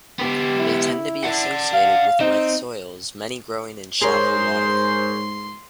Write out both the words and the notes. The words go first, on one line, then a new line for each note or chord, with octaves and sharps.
They tend to be associated with wet soils, many growing in shallow water.
B3 G4
E4
D5 F#5
F5
C4 D#4
G#2 G#4 A#4 C5 C#5 C6